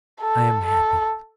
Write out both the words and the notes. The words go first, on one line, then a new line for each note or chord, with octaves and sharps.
I am happy.
A4
A4